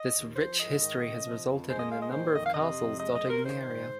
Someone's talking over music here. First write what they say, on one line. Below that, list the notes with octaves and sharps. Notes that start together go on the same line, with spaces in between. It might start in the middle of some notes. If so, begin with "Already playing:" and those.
This rich history has resulted in a number of castles dotting the area.
Already playing: D#5
D#2
F3 C5
G#2 D#5
D#3
C3
F3
F2
G#3 C5
D#5
A#2 F5
D#5
D#3 C5
F2 D#5
F5
C3 D#5
F2
G#3 D#5
D#5
C3
A#4
D#3 C5
G#2